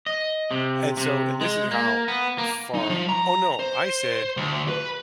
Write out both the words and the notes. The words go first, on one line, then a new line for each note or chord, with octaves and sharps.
And so and this is how far Oh, no. I said,
D#5
C3
C3
G#3
A#3
B3
A#3
D#4
F3
A#5
C5
D2
B4